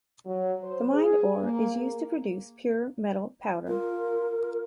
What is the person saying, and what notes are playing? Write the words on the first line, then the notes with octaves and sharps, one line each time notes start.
The mined ore is used to produce pure metal powder.
F#3
C5
G#4
A#3
F4 A#4